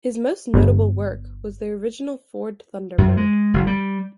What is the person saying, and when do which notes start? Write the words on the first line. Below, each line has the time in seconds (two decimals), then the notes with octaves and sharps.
His most notable work was the original Ford Thunderbird.
0.54 G1
2.98 F#2
3.17 G#3
3.54 F#1
3.67 G3